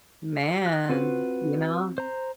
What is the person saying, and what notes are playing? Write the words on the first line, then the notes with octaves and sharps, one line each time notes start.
Man, you know,
F#6
C4 F4 F#4 B4
C5 A#5